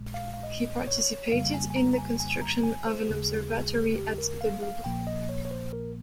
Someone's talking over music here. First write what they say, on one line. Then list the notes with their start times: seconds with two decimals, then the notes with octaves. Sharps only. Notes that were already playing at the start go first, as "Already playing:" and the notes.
He participated in the construction of an observatory at the Louvre.
Already playing: A#1 A#2 G#3
0.14 F5
0.34 F5
0.43 D#5
0.87 C#5
1.32 F2 C#3 G3 A#3 F5
1.54 G#5
1.70 G#5
1.76 A#5
1.93 A#5
1.98 G#5
2.20 G#5
2.41 A#5
2.63 G#5
2.87 C5
3.08 D#2 C#3 G#3 G#4
3.96 G4
4.18 A#4
4.41 F5
4.63 F5
4.84 A#1 A#2 F3 A#3 G5
5.07 D#5
5.29 C#5
5.45 C#5
5.51 C5
5.73 A#4